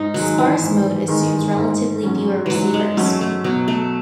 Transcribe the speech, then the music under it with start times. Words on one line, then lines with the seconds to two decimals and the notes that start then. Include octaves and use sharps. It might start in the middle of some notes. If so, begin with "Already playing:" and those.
Sparse mode assumes relatively fewer receivers.
Already playing: G#2 D#4
0.14 D#3 F#3 G#3
0.38 E3
0.62 G#2
1.08 D#3 G#3
1.56 G#2
2.03 F#3 C#4
2.46 G#2 E3 F#3
2.74 G#3
2.97 F#3 A3 C#4
3.21 A3
3.44 B2 F#3
3.68 A3